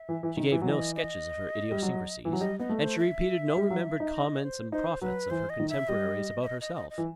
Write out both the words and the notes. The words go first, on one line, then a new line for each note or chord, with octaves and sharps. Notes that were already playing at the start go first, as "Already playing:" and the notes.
She gave no sketches of her idiosyncrasies, and she repeated no remembered comments and prophets of her contemporaries about herself.
Already playing: E5
E3
E3
D#3
E3
F#3
E3 D#5
D#5
G3
F#3
E3
F#3
G3 D#5
B3 D#5
A3
C5
E5
G3
F#3
D#4
D#5
C5
D#4 C5
F#3 B4
E3 C5
D#5
D#3
E5
G3 D#5
E5
D#5
D#5
D#5
D#5
E3